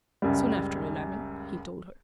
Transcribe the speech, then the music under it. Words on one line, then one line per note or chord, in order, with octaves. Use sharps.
"Soon after eleven," he told her.
C#2 F#2 C#3 G3